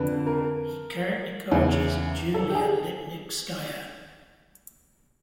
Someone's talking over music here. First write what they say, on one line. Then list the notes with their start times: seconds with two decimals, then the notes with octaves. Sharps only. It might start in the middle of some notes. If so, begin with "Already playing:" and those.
He currently coaches Julia Lipnitskaya.
Already playing: F2 D3 B4
0.27 A#4
1.51 E2 C#3 E3
2.34 A4
2.50 G4
2.55 G#4